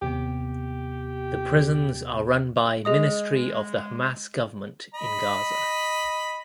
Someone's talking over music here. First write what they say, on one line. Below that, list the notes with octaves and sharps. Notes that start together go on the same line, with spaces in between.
The prisons are run by Ministry of the Hamas government in Gaza.
D#2 C3 B3 G4
G#3 G#4 D#5 D#6
D#5 B5